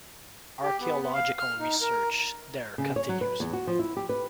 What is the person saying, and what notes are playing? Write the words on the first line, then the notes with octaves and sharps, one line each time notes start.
Archaeological research there continues.
G4
B3
B3
F5
F6
D#4
A#4
C#3
C#5
F#3
B4
E2
F#4
F3
E4
G4
B4